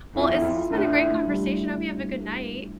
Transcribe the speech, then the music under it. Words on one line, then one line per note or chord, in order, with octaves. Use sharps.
Well, it's been a great conversation, I hope you have a good night.
F2 E4
E2
F2 F4
A2 D4
E4
A3
G3